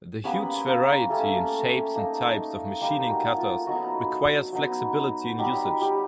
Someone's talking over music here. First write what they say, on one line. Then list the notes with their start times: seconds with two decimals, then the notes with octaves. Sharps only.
The huge variety in shapes and types of machining cutters requires flexibility in usage.
0.24 G3 A#3 B3 C#4 B4
0.67 A#3 A#4
1.09 G3 A3 A#3 C#4 A4
1.96 A#3 D#4
2.81 G3 A#3 D#4 G4
3.10 F#4
3.38 F4
3.66 F#3 B3 D#4 F#4
4.52 F#3 B3 D#4
5.38 F#3 G3 B3 D#4 G4
5.81 G3 G4